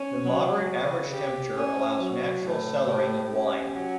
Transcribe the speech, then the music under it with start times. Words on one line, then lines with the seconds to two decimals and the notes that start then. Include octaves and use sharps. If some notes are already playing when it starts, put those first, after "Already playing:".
The moderate average temperature allows natural cellaring of wine.
Already playing: C#4
0.25 F#3
0.69 C#3
1.12 G4
1.55 C#4
1.99 F#3
2.43 A2
2.87 G4
3.30 C#4
3.73 F#3